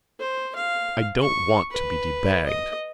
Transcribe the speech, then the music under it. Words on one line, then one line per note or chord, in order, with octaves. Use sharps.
I don't want to be debagged!
C5
F5
C#6
B4
D#5